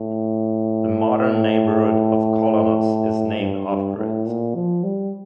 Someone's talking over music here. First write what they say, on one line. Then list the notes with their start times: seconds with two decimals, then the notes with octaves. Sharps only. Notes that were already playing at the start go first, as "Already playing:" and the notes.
The modern neighborhood of Kolonos is named after it.
Already playing: A2
3.39 G2
3.68 G2
3.98 A2
4.26 A#2
4.55 F3
4.83 G3